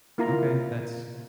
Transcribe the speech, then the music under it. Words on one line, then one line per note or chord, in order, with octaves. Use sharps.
Okay, that's
A#3 E4 F4 A#4 A#5